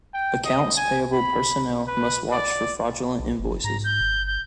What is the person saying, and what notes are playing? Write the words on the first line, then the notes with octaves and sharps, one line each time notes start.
Accounts payable personnel must watch for fraudulent invoices.
G5
D#5
G#5
B5
B4
D5
B1
G1
G#2 A#5
G6
G1
G6